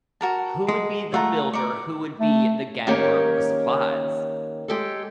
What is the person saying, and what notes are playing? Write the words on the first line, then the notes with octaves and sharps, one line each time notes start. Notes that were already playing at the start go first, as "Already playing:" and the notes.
who would be the builder, who would be the gatherer of the supplies?
F#4 A#4 A5
G#3
A3 F4 F#5 A#5
A#4 D5 C#6
A3
D#3 A#3 C#4 G4 A#4 C#5
G#3 G4 A4